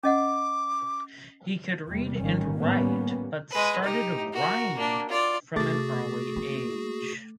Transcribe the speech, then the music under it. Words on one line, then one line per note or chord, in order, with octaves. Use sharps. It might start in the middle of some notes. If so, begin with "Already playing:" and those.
He could read and write but started rhyming from an early age.
C#4 D#5 F#5 D6
E2 C3 G3
G#1 A2 D#3 G3 C#4
A2 G3 A#3 B3 C#4
G#3 B4
D#4 G4
F#4 A#4
A#3 D4
F4 D5
C3 A3 F#4 G#4 D6 A6
A#3